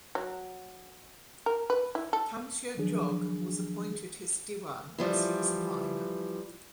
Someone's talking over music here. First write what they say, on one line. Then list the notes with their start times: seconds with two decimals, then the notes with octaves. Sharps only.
Tantia Jog was appointed his Diwan as he was a minor.
0.15 F#3
1.46 A#4
1.70 B4
1.95 E4
2.13 A4
2.78 D#3 F3 F#3 D4 G#4
4.98 E3 F3 G3